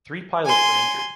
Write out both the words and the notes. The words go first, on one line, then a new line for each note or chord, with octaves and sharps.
Three pilot were injured.
G#5 C6